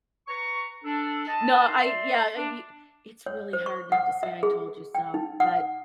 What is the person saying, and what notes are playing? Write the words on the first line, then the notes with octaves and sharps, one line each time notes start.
No, I yeah, uh, y it's really hard not to say I told you so, but
B4 A#5 C#6
D4 A4
D#5 A5
D#4 A#4 A5 C6
D5 E5 C6
D4
C#5
C5
C#6
F#5
E5
G#4
G5
D#4
F#5